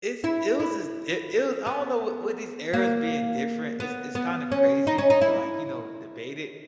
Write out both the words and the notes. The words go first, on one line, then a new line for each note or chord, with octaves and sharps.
It's it was just di it was I don't know, w with these eras being different, it's it's kinda crazy to, like, you know, debate it.
E4
E4
B3
A#3
B3
B3
C#4
D#4
C#4
D#4
E4